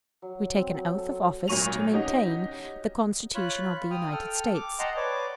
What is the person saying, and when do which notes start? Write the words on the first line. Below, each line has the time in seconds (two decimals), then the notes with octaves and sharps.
We take an oath of office to maintain the Constitution of the United States.
0.22 F#3
0.55 C4
0.74 F#3
0.98 A4
1.48 G#1 A#2 F#3 C#6 D#7 F7
1.94 C#4 D#4 F#4 G4
3.35 F4 C#5 B5 F#6
3.91 G5 D#6 F6
4.12 A4 G5 F6
4.54 D6
4.79 D#5 F#5 G5 A5 A#5 C6
4.96 B4 C#5 D5 D6